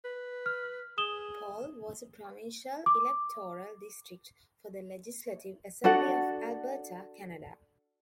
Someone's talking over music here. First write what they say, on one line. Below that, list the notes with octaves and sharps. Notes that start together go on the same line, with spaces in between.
Paul was a provincial electoral district for the Legislative Assembly of Alberta, Canada.
B4
F6
G#4 D#6 E7 G7
D6
D4 F#4 A4 F#5